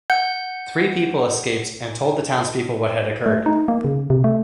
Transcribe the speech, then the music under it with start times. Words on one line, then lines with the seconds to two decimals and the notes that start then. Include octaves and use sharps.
Three people escaped and told the townspeople what had occurred.
0.10 F#5 G6
3.26 A3
3.46 D#4
3.68 A#3
3.85 C#3
4.10 C3
4.24 A3